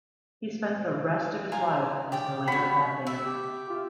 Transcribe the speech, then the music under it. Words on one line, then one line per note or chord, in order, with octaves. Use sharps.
He spent the rest of his life as the leader of that band.
F4 A#4 G#5
G4 D5 G5
F#4 C#5 B5
E5
G4
F4